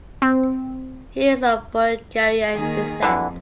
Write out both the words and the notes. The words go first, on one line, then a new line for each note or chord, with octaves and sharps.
He is of Bulgarian descent.
C4
D#3 A#3 G#4
F2 D3 E3